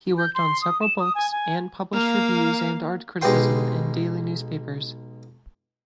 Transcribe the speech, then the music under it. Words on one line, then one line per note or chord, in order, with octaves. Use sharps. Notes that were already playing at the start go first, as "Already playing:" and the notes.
He worked on several books and published reviews and art criticism in daily newspapers.
G6
C6
D#6
E7
D#6
G#5
G#5
A#3 F5
B1 G#3 G4 B4 G5 C6